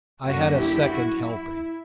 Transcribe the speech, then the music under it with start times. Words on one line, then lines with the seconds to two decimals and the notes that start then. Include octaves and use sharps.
I had a second helping.
0.24 F#2 D3 F#3 A#3 C#4 F#4
0.58 E4 G4
0.93 F#4
1.26 E4